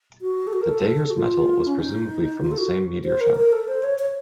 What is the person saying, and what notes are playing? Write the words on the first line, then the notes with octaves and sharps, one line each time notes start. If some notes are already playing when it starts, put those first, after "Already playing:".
The dagger's metal was presumably from the same meteor shower.
F#4
A4
F#4
A#4
A4
F#4
F4
C#4
D#4
F4
A4
F#4
C5
A#4
A#4
A4
C5
C#5
C#5